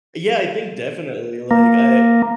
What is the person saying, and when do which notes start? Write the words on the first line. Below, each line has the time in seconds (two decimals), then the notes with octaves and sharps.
Yeah, I think definitely. Like, I
1.51 A#3